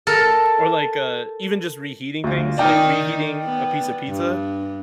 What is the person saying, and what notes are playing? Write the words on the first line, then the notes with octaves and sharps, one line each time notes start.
Or, like, uh, even just reheating things, like, reheating a piece of pizza
A4 A#4
D2 F4
D#3 D#4 D5 G5 F6
B3
G2